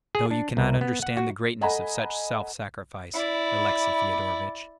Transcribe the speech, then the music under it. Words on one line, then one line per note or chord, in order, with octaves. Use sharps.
No, you cannot understand the greatness of such self-sacrifice, Alexey Fyodorovitch.
G#4
D4
C2
B3
F#5
F#4
A4 D#5 F#5 G#5 A#5 B5
E4 D5